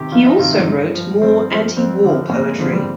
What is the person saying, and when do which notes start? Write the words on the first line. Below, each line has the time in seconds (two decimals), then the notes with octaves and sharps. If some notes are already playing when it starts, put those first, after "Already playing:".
He also wrote more anti-war poetry.
Already playing: C3 D#3 G4
0.12 F2 F4
0.25 D#4
0.39 C3 D#3 F4
0.53 D#4
0.67 G2
0.94 F3
1.22 G2 C4
1.49 F3
1.77 F2 C4
2.04 D3 F3
2.32 F2 A#3
2.46 G#3
2.59 D3 F3 C4
2.73 G3